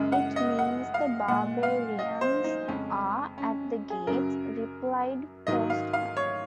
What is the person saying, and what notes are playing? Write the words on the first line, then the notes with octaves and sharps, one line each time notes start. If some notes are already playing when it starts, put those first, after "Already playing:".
"It means the barbarians are at the gates," replied Forstmann.
Already playing: F#2 C#3 G#3
F#5
D#5
F#5
F5
A#2 G#3 F#5
F5
D#5
C5
D#4
F2 C#3 G#3 C#4
C#4
G#4
F#2 C#3 F#3 A#4
G#2 D#3 F#3 D#5
F5
F5
C#5